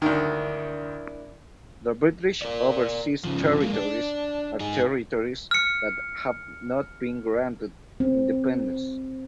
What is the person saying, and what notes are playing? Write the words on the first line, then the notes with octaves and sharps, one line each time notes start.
The British Overseas Territories are territories that have not been granted independence.
D2 D#3 D4 E4 A#4
A#4 D5
C#3 F3
G#3 A#3
D4
D#4 G#4
F6 C#7
C4